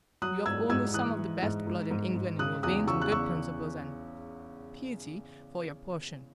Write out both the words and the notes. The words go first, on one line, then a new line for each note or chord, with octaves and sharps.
You have only some of the best blood in England in your veins, and good principles and piety for your portion.
F#3 D#6 F#6
G#2 E6 G#6
G#2 E6 G#6
E3 D#6 F#6
E3
G#2
G#2
G#2
G#2
C#3 D#6 F#6
E2 D#6 F#6
C#3 C#6 E6
F#6
E2 C#6 E6